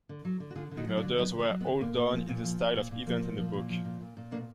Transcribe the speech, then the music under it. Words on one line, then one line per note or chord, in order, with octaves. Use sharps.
The murders were all done in the style of events in the book.
D3
F#3
D3
F#4
D3 F4 G#4
D3
D#4 F#4
F#3
D4 F4
D3
F#3 B3 D#4
D3
A#3 D4
F#3
G#3 B3
D3
A#2 A#3
A#2
F3
A#2
F3
A#2
A#2
A#2
F3 A#3
A#2
F3
A#2
F3
A#2
A#2
A#2
B2 A#3 D4